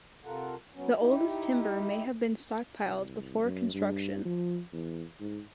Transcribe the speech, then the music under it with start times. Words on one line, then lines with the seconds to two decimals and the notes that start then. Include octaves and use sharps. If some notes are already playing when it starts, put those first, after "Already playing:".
The oldest timber may have been stockpiled before construction.
0.25 C3 F4 A4 A#4 F#5
0.75 F#3 B3 C#4
1.00 D#4 E4 G4
2.84 C2
3.43 F#2
3.74 G2
4.25 F3
4.73 E2
5.20 G#2